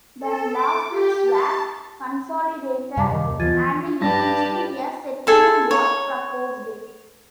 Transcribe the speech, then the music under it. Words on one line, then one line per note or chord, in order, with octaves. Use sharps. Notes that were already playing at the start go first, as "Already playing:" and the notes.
The lawsuits were consolidated, and eventually a settlement was proposed.
A4
D6
G4
A5
F#2 C3 G3 F5 A5 D6
D#3 D#5
D#2
E3 F3 B3 F4 G#6 A6 D#7
G2 G4 B4 A5 A#6
G#4 A4 G#5
C#5